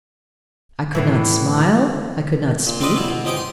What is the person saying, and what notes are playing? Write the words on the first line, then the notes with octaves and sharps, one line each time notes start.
I could not smile, I could not speak.
E2 A2 E3
A#2
C4 F4 B4 D5 D#5
B2 G3 E4
B2
C#2 G#2 D#4 G4 D#5 G5
C6